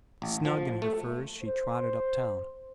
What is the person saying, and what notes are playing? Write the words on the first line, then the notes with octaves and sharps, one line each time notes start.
Snug in her furs she trotted up-town.
A1
F3
A3
C5